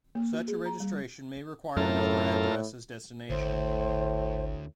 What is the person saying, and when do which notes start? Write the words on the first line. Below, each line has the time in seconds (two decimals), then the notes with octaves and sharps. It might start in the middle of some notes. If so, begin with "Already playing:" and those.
Such a registration may require another address as destination.
0.15 A#3
0.33 F#4
0.48 G#4
0.66 A#5
0.80 G3
1.77 F#2 A2 F4 A4 A#4
3.30 G#1 D2 A2 C5